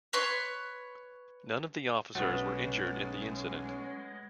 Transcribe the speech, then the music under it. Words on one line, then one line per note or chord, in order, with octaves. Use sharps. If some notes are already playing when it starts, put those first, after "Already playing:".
None of the officers were injured in the incident.
B4 C#5 C6
B1 G#3 A3 C#4 F#4 B4